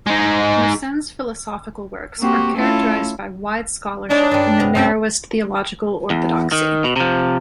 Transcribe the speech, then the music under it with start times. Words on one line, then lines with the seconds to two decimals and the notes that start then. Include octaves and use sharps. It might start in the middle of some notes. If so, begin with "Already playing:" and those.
Mersenne's philosophical works are characterized by wide scholarship and the narrowest theological orthodoxy.
0.07 G#3 D#4
2.20 A#3 C4 F#4 G4
2.56 A3 C#4 E4 F4 A4
4.10 G#3 D4 D#4 C#5
4.31 G2 G3
4.60 C3 B3 A#5
4.75 F#2 G3 C4 E4
6.10 E2
6.52 D#3
6.84 B2
6.96 C3 F3